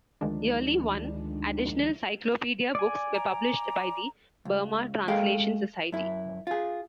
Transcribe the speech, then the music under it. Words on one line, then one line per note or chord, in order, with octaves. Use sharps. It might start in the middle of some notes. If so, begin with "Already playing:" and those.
Yearly one additional cyclopedia books were published by the Burma Translation Society.
D2 D#3 F3 G#3 D4
D5 G#5
A#5
C#2
G#3 G#4 A4 F5 G5
F#2 E4
F4 G#4